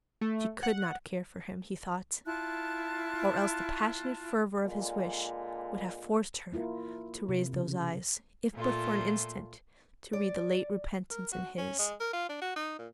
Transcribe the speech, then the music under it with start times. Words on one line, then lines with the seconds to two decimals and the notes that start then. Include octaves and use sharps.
She could not care for him, he thought, or else the passionate fervour of his wish would have forced her to raise those eyes, if but for an instant, to read the late repentance in his.
0.21 A3
0.63 F#5
2.25 E4 F4 A5 F#6
4.63 A#2 D3 G#3
6.52 A#3 E4 F4 A#4
7.29 C3
7.53 C#3
8.54 A#2 A3 F4
10.13 D5
11.11 A#4
11.32 F#4
11.58 C#4
11.79 G#3
12.00 A#4
12.13 F4
12.29 D4
12.42 F#4
12.56 D#4
12.79 A#2